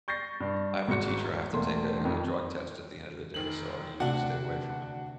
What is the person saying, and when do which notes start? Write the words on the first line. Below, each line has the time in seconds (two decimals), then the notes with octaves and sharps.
I'm a teacher. I have to take a a drug test at the end of the day, so I usually stay away from it.
0.08 C#6 G6 A6 A#6 C7
0.40 G2
0.88 G#1 G#2 F#4 C#7
1.53 E1 A3 A#3 C6
2.01 F2 D#3
3.34 F1 D#3 F#7
4.00 D2 C3 D4 F#4 F#5